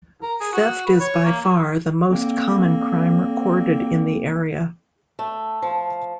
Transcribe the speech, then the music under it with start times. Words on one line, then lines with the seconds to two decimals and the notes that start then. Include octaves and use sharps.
Theft is by far the most common crime recorded in the area.
0.23 A#4
0.41 G#4
0.53 F#4
0.87 B4
1.00 C#5
1.25 A#3
2.09 D3 A#3 C4
5.19 A3
5.62 F3